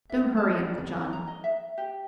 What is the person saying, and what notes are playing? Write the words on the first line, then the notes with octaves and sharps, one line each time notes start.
Don't hurry, Uncle John.
E5
A5
D5
B5
C#5
A#5
D#5
E5
G4